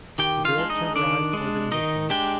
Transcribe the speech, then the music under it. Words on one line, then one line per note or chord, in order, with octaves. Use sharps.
The girl turned her eyes toward the Englishman.
D#3 G4 G5
F4 F5
G#3 D4
D#4 D#5
D#3 D4 D5
G#3 D4
D#3 D#4 D#5
G#3 D4 G4 G5